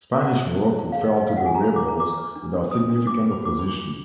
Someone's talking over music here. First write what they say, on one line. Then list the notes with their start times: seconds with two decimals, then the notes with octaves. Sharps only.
Spanish Morocco fell to the rebels without significant opposition.
0.21 D4 F#5
0.39 B4
0.57 D4
0.75 D4
0.92 G#4 F5
1.05 D#5
1.10 B4
1.16 D#5
1.28 B4 F5
1.37 F#5
1.46 G#4 G#5
1.55 A#5
1.64 F4 B5
1.76 D6
1.83 F4
1.88 A#5
2.00 F4 D6
2.18 B4
2.36 D4
2.54 D4
2.71 B4 D#6
2.90 D4
3.07 D4 D6
3.25 B4
3.32 B5
3.43 F#4 D6
3.59 D4 B5
3.79 F4